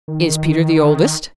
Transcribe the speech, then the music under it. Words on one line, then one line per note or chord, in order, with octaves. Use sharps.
"Is Peter the oldest?"
D#3